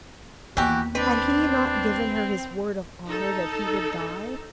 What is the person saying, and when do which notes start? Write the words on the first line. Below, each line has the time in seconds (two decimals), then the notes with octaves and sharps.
Had he not given her his word of honor that he would die?
0.57 D#2 E3 B3 F#4 G4
0.95 C4 D4 B4
3.07 D#4 A4